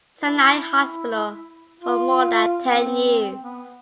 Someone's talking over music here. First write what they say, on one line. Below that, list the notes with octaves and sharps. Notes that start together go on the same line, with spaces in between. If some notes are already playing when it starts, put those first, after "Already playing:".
Sinai Hospital for more than ten years.
E4
F4
C4
B3